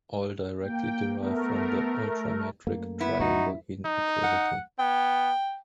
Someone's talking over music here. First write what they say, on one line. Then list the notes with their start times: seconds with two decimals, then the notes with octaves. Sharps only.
All directly derive from the ultrametric triangle inequality.
0.61 A#3 G5
1.19 A3 B3 A#4
2.67 F#2 A3 A#3
3.01 B3 E4
3.20 A1 D2 B2 D#4 F#4
3.39 F#2
3.85 D#4
4.23 F#5
4.79 B3 G5